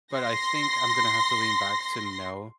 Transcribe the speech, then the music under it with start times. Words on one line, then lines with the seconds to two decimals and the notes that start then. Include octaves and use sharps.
But I think I'm gonna have to lean back to no,
0.15 C6 A#6